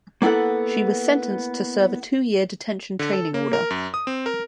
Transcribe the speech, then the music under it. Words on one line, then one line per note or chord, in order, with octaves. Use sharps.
She was sentenced to serve a two-year detention training order.
A#3 B3 E4 A4 F#5
D3
A4
A#3
A#4
F#2
D#6
C4
A#4